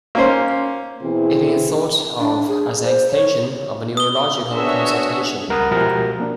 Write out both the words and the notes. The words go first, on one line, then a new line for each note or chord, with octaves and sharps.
It is thought of as an extension of a neurologic consultation.
A#3 C#4 C5
B2 E3 C4 E4 G#4
D4
G#4
C5
C#5
D#6 G7
B3 D4 F#4 G#4 C#5 E5
C#2 G3 A#4 F#5 B5 D#6
B2 F3 G#3 F#4 G4 A#4
A#3 D4